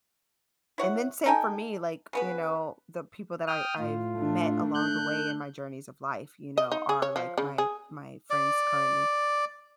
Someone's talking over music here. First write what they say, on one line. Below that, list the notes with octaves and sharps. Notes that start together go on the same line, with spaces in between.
and then same for me, like, you know, the people that I I've met along the way in my journeys of life, you know, are, like, my my friends currently,
E4 C#5 F#5
D#4 A4 G5 G#5
C#3 B3 B4
G5 D#6 F6
A2 F4
A3 D4
F#6 G6
D#5
D#4
G#4
C#5
F3
C#3
G#4
D5